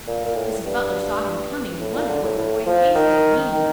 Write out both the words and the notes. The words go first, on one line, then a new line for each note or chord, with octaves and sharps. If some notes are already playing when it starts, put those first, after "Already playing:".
Mrs. Butler saw him coming and wondered what the boy's haste might mean.
A#2
A#2
A2
G2
A2
A#2
D3
A2
A2
F3
D#3
D#3